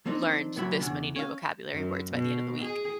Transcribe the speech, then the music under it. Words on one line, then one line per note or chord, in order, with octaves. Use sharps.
learned this many new vocabulary words by the end of the week
F3 A#3 C4 D4 D#4
C#2 A#2 F#3 E5 B5
E2 C#3 D4
C#4 F5
F#2
B2
G#4